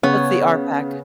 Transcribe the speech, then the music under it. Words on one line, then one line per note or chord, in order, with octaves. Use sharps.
What's the RPAC?
C#3 B3 C#5